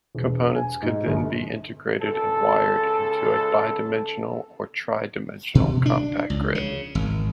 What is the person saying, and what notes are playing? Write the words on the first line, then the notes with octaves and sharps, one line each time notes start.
Components could then be integrated and wired into a bidimensional or tridimensional compact grid.
E1
G#5
G#2
G1
C#2 A4
B2
D4
C#2
C#3
G#1